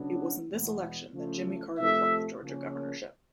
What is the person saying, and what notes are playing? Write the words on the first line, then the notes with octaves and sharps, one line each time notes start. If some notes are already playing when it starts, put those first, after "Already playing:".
It was in this election that Jimmy Carter won the Georgia governorship.
Already playing: C#3 F#3 B3 D4
E2 B2 G#3 B3
C#3 F3 A3
C3 F3 A3 E5
C#3 F3 A#3 C#4